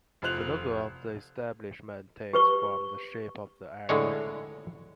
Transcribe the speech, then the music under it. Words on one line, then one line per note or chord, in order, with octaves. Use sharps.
The logo of the establishment takes from the shape of the area.
F1 F4 C5 F#6 F7
G4 B4 C#6
A2 D3 G#3 C#5